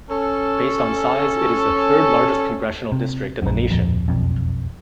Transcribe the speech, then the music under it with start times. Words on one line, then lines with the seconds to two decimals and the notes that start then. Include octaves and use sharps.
Based on size, it is the third largest congressional district in the nation.
0.10 C#4 A4
2.92 C3
3.42 A#1 F#2
3.70 D1 A#1 F2
4.08 E1 B1 F2